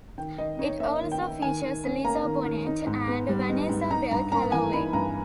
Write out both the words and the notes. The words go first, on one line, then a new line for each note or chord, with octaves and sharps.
It also features Lisa Bonet, and Vanessa Bell Calloway.
D#3 G5
D#3 D#5
D#4 C#5
A#3 E5
D#3
G5
D#3
D#3 G#5
D#3
C#4
A#3 A#5
D#3
D#3
D#4
G#2
B3
G3
D#4
G#2
D#4 A#5
G2 A#5
A#3 A#5
E3 G#5
D#4 B5
G2 A#5